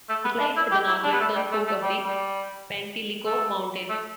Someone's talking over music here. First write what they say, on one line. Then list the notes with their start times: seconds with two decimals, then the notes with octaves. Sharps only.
It lies at the northwestern foot of the Penteliko Mountain.
0.09 A3
0.25 B3
0.40 D4
0.57 E4
0.71 G4
0.87 E4
1.04 D4
1.12 B3
1.20 A3
1.36 G3
1.52 A3
1.67 A3
1.83 G3
2.06 G3
3.26 A3
3.89 A3